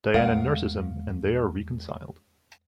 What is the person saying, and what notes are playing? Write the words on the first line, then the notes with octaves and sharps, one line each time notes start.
Diana nurses him and they are reconciled.
E2 G#3 A3 A#4 F5 F#5